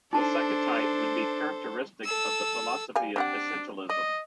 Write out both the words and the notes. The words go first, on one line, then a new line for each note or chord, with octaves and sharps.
The second type would be characteristic of the philosophy of essentialism.
D4 D#4 A4 C5 A5
A4 E6
G3 F5 G#5
C4 D4 G4 F#5
D5 D#5